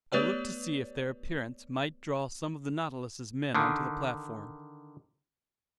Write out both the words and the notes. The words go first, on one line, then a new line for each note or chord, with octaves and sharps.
I looked to see if their appearance might draw some of the Nautilus's men onto the platform.
A3 B3 G4 B4 C#5 D5
D3 D#3